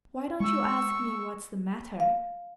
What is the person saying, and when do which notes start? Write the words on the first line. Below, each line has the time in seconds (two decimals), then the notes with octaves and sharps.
"Why don't you ask me what's the matter?"
0.40 G#3 C#6 E6
2.00 F5